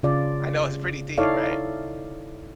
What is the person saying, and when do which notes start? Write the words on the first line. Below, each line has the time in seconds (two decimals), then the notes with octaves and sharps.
I know it's pretty deep, right?
0.03 C#3 F4 D5
1.18 D#4 E4 A4 C#5 D5 F5